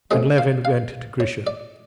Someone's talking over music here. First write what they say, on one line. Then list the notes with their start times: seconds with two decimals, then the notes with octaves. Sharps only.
And Levin went to Grisha.
0.11 C3 F3 A3 C#4 D#5
0.38 F5
0.65 F5
1.20 C#5
1.47 D5